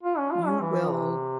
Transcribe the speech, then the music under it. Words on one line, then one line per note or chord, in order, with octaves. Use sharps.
you will
F4
C#4
F4
C#4
E3
C3